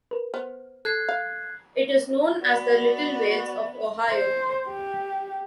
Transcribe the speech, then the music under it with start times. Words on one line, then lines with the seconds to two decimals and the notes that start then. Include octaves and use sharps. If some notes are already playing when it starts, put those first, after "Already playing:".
It is known as The Little Wales of Ohio.
0.11 A#4 B4
0.34 B3 C5 F6
0.85 A4 F#6 G#6 C7
1.09 F5
2.42 B3 F#4 D5
4.11 C5
4.68 G4